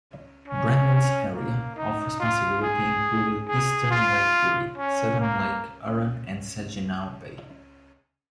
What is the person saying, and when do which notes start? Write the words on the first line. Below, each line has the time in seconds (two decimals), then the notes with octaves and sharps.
"Bramble's" area of responsibility included eastern Lake Erie, southern Lake Huron and Saginaw Bay.
0.48 C#4
1.33 A#3
1.76 D#4
2.20 F4
2.62 G#4
3.48 G#4
3.91 F4
4.78 C#4
5.20 A#3